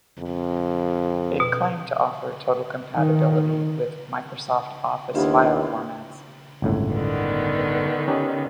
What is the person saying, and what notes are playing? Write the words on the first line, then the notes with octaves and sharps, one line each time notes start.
It claimed to offer total compatibility with Microsoft Office file formats.
F2
B2
D#3
D#2 B3 D4 E4 F4 G4
G1 C#2 A2
D3 D#3 B3
C#4 D#4 G4